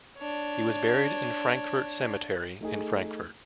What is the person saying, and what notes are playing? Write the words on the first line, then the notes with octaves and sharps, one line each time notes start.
He was buried in Frankfort Cemetery in Frankfort.
D4 C#5
A3 D#4 G#4